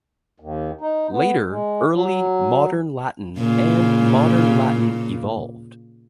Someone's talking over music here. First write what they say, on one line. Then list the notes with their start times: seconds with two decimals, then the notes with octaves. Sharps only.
Later, Early Modern Latin and Modern Latin evolved.
0.40 D#2
0.81 D#4
1.12 B3
1.51 G#3
1.94 F#3
3.38 A#2 C#3